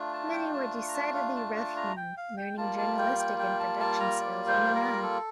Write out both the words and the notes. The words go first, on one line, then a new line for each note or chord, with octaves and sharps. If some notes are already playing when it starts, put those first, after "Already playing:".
Many were decidedly rough-hewn, learning journalistic and production skills on the run.
Already playing: A3 D4 F4
A5
G5
A5
A#5
A5
F5
A5
A5
A#5
G5
F5
G5
G3 A#3 F4 A5
A5
G5
G5
G5
A5
A5
A#5
D5
C5
A#4
A4